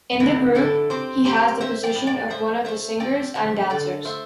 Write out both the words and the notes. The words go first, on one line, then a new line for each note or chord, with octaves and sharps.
In the group, he has the position of one of the singers and dancers.
D3 C4 E4
D3 E4 A4
C4 G4 C5
C4 G4 C5
C4 C5 E5
D5 G5
A2
D5 G5
A2 C5 E5
A3 C5 E5
C4 D5 G5
D3 C5 E5
D3 A4 D5
A3 C5 E5